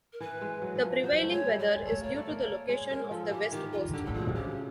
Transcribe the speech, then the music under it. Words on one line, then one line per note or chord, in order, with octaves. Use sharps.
The prevailing weather is due to the location of the West Coast.
A#4
E3 B4
G#3
F#3
E3
F3
F#3 C5
A3
G#3 C#5
G3
G#3 D5
A3 C#5
A#3 C#5
A3 D5
A#3
C#5
G#3 C#5
G#3 A#4
F3 A4
F#4
E3 G4
D#3 G4
F4
D3 G4
A2 A4
A#2 G#4
B2
C3
C#3 G4